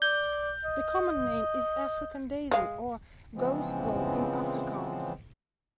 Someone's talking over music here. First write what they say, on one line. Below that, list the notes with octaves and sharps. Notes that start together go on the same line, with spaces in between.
The common name is "African daisy", or "Gousblom" in Afrikaans.
D5 G6
D#5
G#3 F5
C#3 E3 F3 G#3 B3 C4